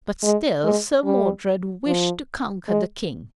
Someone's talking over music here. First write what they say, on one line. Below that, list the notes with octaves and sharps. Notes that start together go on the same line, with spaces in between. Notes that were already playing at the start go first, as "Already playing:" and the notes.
But still Sir Modred wished to conquer the King.
G#3
G#3
G3
F3
G#3